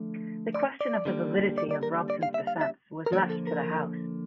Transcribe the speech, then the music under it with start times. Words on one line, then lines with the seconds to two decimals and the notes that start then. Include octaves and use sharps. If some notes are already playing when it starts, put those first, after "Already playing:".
The question of the validity of Robson's defence was left to the House.
Already playing: D3 F3 A3
0.55 D5
0.81 D5
1.05 D3 G3 A#3
1.58 D5
1.71 D5
1.83 A#4
2.10 D5
2.23 F5
2.34 E5
2.47 F5
2.61 E5
3.06 A#4
3.12 D3 F3 A#3 C#5
3.30 A4
3.47 A#4